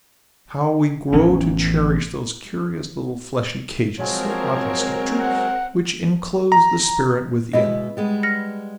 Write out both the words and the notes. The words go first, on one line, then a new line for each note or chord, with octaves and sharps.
How we grow to cherish those curious little fleshy cages--so oddly sculptured--which inclose the spirit within.
A1 E3 B3 C#4
F3 F#3 G#3 C4 A#4 C#5
F#5
A#5
B2 G#3 E4 D#5
G3 G#3 B3
F6 A#6 C#7